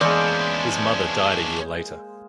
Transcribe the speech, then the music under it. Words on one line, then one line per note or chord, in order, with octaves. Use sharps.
His mother died a year later.
E2 G#3 A#3 C#4 D4 C5 D5